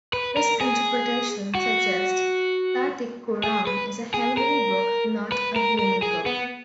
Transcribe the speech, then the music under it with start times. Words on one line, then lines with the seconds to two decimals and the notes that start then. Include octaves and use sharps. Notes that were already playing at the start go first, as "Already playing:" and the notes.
This interpretation suggests that the Qur'an is a heavenly book, not a human book.
0.13 B4
0.37 A#4
0.61 G#4
1.55 F#4
3.44 G#4
3.67 B4
4.14 G#4
4.37 A#4
5.32 B4
5.56 A#4
5.79 A#4
6.02 G#4
6.26 B3